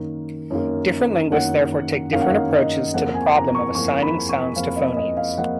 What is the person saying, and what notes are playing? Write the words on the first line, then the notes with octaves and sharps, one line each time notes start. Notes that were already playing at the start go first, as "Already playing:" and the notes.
Different linguists therefore take different approaches to the problem of assigning sounds to phonemes.
Already playing: F#2 D#3 A#3
F#2 D#3 A#3
F#2 D#3 A#3 F#5
F#2 D#3 A#3 F5
F#5
F5
D#5
F2 F3 A#3 F#5
G#5
A#5
C#6
F2 F3 A#3 C#6
B5
C#6
F2 F3 A#3 F5
D#5
D#5
F5
F3 A#3 F#5